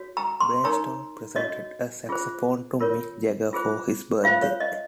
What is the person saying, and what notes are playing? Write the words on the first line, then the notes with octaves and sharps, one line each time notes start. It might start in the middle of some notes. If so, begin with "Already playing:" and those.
Brainstorm presented a saxophone to Mick Jagger for his birthday.
Already playing: F#4 C#5
A#5
C6
D#4 A#4 C#5 A#5
F#4 C#5 D#5
F4 G#4 C5
F4 A#4 C#5
F4 G#4 C5
F4 C5 F5
C#5
D#5